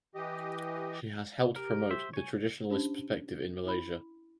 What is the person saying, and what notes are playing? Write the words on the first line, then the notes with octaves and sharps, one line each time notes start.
She has helped promote the traditionalist perspective in Malaysia.
E3 G4 D#5
G4 A#4
C5 E5
C#5 G#5
C#4 D4 G4 C5
E4 B5